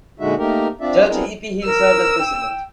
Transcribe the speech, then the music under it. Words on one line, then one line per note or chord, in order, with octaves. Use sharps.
Judge E. P. Hill served as president.
A#2 D3 G#3 D#4 F#4 E5
A3 A#3 D#4 G4 A#4
C4 D4 F4 D5 E5
B3 C4 D4 E4 G#4 A#4
A#4 E6
G5